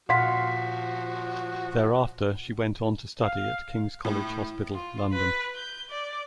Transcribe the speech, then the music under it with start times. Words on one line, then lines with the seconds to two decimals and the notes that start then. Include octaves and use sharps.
Thereafter she went on to study at King's College Hospital, London.
0.09 A#2 F3 F#4 F5 F#5 C6 B6
3.23 F5
4.05 A2
4.74 F4
5.13 B4
5.56 G6
5.90 D5